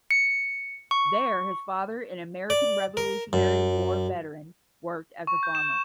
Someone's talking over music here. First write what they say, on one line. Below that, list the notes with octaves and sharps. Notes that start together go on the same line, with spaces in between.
There his father, an American Revolutionary War veteran, worked as a farmer.
C#7
C#6
D5
A#4
F#2
C#6
G6
E7